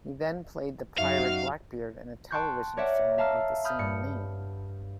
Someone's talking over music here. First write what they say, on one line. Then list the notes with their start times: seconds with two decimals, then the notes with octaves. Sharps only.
He then played the pirate Blackbeard in a television film of the same name.
0.98 F#2 D#4 F#4 E5 F5
2.31 G5 A5 C6 C#6 F#6 G6
2.77 A#4 C#5 D5 E5 F#5
3.18 E5 F5 A5 A#5 E6 F6
3.64 B5 D#6 F6 G6
3.79 G2 C#7